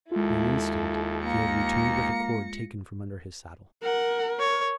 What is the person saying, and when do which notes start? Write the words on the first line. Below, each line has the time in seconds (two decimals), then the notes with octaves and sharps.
In an instant he had returned with a cord taken from under his saddle.
0.11 D#2 G#3 E4 F4 A4
1.24 A#3 A#6 C#7
3.83 A#4 F#5
4.39 C#5